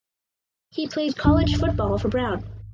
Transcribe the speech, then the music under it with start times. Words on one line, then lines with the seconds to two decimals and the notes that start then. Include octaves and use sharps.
He played college football for Brown.
1.24 G#1 E2 D4